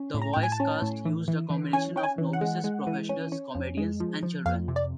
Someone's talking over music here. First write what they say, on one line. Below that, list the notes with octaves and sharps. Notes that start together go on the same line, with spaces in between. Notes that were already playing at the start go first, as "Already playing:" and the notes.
The voice cast used a combination of novices, professionals, comedians, and children.
Already playing: C#4
A2
A#5
A2 G5
G#5
A5
C#4
A2
E3
E3
E3
C#4 G#5
C#4 G5
G#5
E3
F#5
G#3
G#3
E3
C#4
C#4
F2
G#3
F3
F3
F2 F5
C3
D5